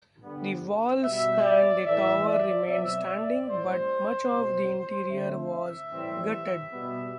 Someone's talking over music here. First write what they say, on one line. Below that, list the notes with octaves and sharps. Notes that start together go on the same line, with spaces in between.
The walls and the tower remained standing but much of the interior was gutted.
D3 G3 B3
B2 G3 B3 E5
D5
A2 E3 A3 E5
D5
B2 F#3 C4 E5
D5
A2 G3 C4 C5
B2 G3 C4
D3 A3 C4 E5
E5
A2 E3 G3 C4
B2 G3 B3